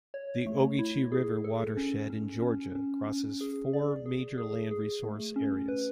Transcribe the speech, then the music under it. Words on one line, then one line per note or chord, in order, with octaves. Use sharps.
The Ogeechee River watershed in Georgia crosses four major land resource areas.
C#5
A3
E4
G#4
A4
C#4
C#4
C#4
C#4
C#4
G#4
D5
G#4
G#4
G#4
A3
C#4
B4